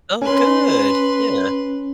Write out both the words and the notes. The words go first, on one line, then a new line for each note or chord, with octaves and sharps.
Oh, good. Yeah.
C#4 B4 C6